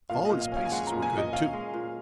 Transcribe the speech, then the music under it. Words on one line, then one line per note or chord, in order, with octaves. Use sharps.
All his paces were good too.
A#2 F5
D#5
A#2
F5
C#4
F5
G#5
G#3 F#5
A#2 A#5
G#5
A#2
D#5
C#4 F5
G#3
A#2